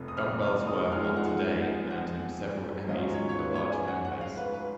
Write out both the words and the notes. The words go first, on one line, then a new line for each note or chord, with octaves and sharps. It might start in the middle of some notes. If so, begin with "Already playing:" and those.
Gumbel's work on "Today" earned him several Emmys and a large fanbase.
Already playing: F1 F2 F3
D#6
F6
F6
D#6
F2 F3 G#3 D#4 F6
F6
F#5
F#5
F#5
G#2 F#3 C#4 F4 D#5
C#5
C#5
B4
C#5
G#5
F#5
F#5
F5
B4
B4